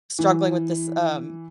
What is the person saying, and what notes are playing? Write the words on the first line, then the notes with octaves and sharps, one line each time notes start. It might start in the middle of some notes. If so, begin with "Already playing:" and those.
Struggling with this, um,
E3